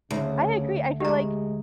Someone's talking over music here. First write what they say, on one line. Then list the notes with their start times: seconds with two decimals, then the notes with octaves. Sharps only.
I agree. I feel like
0.11 D2 C#3
1.00 G#3 G4 A#5